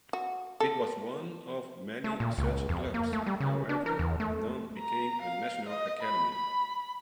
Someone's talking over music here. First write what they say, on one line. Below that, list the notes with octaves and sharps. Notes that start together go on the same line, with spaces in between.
It was one of many such clubs; however, none became a national academy.
F#4
A4
A3
A#2
C#2
F2
A#3
A3
G3
C#3
D4
A#4
E2
A3
A#5
F5
D#5
B5
B5